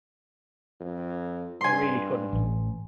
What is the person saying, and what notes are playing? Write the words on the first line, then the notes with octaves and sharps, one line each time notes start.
I really couldn't.
F2
G2 G#5 C6
A1